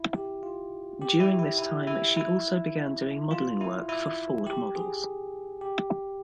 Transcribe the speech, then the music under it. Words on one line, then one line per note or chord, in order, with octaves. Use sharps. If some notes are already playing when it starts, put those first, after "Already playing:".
During this time, she also began doing modeling work for Ford Models.
Already playing: E4
G4
F4
G4
E4
E4
E4
E4
E4
F4
E4
E4
G4
G#4
G4